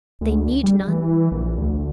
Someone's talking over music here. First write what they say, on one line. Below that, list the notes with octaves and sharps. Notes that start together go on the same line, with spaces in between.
They need none.
D2
G3
E3
A#1
D2